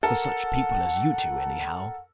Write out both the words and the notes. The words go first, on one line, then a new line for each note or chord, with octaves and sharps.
For such people as you two anyhow.
A4 A#4 F#5